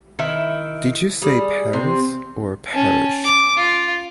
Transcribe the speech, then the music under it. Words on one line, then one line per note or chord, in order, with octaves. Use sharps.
Did you say Paris or Parish?
D#3 E4 E5
G3 G#4
C3 C4
C#4 A5
D6
F4